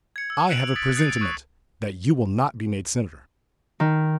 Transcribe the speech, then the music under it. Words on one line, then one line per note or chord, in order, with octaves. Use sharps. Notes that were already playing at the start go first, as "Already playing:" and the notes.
I have a presentiment that you will not be made senator.
G#6 C#7
E6
F#6 C#7 D7 F7 F#7
D#6 A6 B6 D7
D#6 F#6 G#6 A6 C7 C#7
C#6 D#6 F#6 G#6
D#3